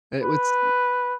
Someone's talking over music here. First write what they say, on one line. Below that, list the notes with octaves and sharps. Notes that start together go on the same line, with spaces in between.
It was
B4